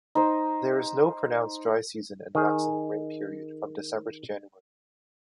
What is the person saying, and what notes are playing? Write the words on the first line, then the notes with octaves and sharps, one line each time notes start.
There is no pronounced dry season and maximum rain period from December to January.
D#4 C5
D#3 G#4